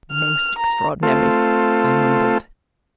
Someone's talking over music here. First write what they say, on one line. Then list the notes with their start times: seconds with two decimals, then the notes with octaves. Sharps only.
"Most extraordinary!" I mumbled.
0.12 F6
0.59 A#5
1.03 A3 C4 F4 A4